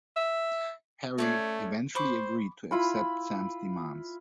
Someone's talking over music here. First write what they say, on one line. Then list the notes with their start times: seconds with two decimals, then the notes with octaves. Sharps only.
Harry eventually agreed to accept Sam's demands.
0.16 E5
1.18 A3 C#4 C#5 D5
1.95 C5 B5 C#6 D6
2.71 E4 F4 B5